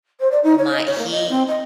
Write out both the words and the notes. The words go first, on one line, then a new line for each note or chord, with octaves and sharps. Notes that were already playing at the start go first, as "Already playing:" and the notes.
My he
C5
D5
D#4
C#5
D#5
C#5
A#3
D#5
C4
D#5